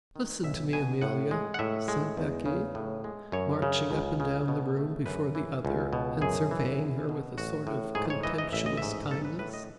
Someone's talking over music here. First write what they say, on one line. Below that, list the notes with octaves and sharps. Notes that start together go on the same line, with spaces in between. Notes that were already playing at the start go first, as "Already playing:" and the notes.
"Listen to me, Amelia," said Becky, marching up and down the room before the other and surveying her with a sort of contemptuous kindness.
D#3
B1 E5
B2 G#5
A2 F#5
G#3
F#5
A2 E5
G#3
E2
C#3
A2
G#3
F#2 C#5
C#3
C#2
C#3
B2
A3
F#2 B4
E3
C#2
B2
F#2 G#4
E3
E2
B2
A1 F#4
A2
G#2 G#4
C#5
E3 D#5
D#5
A1 E5
D#5
G#2 E5
B1 A4
B4
A2 B4
D#5